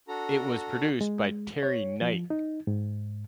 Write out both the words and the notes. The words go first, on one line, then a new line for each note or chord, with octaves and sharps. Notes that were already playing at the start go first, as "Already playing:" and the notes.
It was produced by Terry Knight.
D4 F#4 A4 A#5
G#3
C#5
F3
D#4
G#2